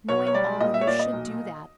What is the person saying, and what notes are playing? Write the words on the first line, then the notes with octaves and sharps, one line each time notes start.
Knowing all, you should do that.
B1 C#5
C#5
G3 D5
A#2 D#5
E5
C#5
A#2 D5
D#5
B1